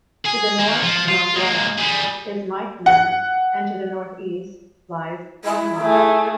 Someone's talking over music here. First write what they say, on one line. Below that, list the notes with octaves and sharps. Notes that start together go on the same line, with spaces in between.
To the north-northwest is Meitner, and to the northeast lies Langemak.
G#4
A#3 D#4
F3
F4
G#3 A#3
G3 G#4
F#5
E4
A3 G#4